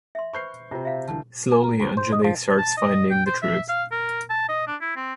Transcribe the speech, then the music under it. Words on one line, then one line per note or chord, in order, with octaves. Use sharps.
Slowly Anjali starts finding the truth.
E5 C6
B4 C5 B5 C#6 G6 C7
C3 C4 F4 F#4
E5 F5
C2 D3 E3 A5
G#5
A#4
D2
C5
D#5
F3
A5
D#5
G5
C5
E5
F5
A#4
A5
D#5
D4
E4
C4